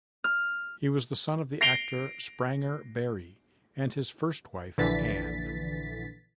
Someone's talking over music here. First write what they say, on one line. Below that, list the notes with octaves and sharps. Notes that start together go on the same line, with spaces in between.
He was the son of the actor Spranger Barry and his first wife Anne.
F6
A#6 C7 D7 F7 G7
A#1 D3 E3 A6 B6